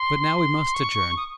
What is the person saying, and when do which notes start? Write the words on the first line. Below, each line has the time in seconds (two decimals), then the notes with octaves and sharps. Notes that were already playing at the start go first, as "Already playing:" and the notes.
But now we must adjourn.
Already playing: C6
0.74 C#6
1.17 D#6